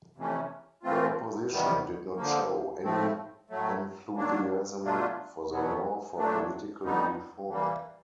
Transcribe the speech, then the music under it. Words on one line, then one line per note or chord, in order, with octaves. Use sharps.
The opposition did not show any enthusiasm for the Law for Political Reform.
F2 C3 E3 A3 C#4
E3 A3 C4 F4
E2 C3 D#3 G3 B3
D3 F3 A#3
A2 F3 A3 C4
A2 F#3 A3
D#3 F#3 A#3 D4
B2 F#3 A3 D4 F4
E2 B2 F#3 B3
A#2 F#3 A3 D4
F2 D3 G3 B3 D#4
E3 G3 A#3